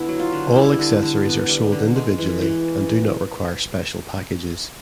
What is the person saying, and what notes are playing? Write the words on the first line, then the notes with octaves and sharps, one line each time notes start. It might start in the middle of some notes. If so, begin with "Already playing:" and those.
All accessories are sold individually, and do not require special packages.
Already playing: D3 B3 E4
F#3
F4
D3
G3 E4
D3
D3
B3
G3
D3
G#3
E3
E3